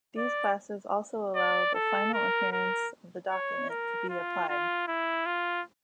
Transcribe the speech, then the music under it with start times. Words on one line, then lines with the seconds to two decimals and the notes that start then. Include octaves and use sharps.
These classes also allow the final appearance of the document to be applied.
0.18 D5
1.35 D5
1.75 A4
2.14 A#4
2.53 A#4
3.31 C#5
3.70 A#4
4.10 F4
4.49 F4
4.88 E4
5.26 F4